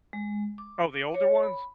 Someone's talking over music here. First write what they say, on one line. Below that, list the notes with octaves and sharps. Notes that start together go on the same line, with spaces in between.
Oh, the older ones?
G#3
D6
C#5
B5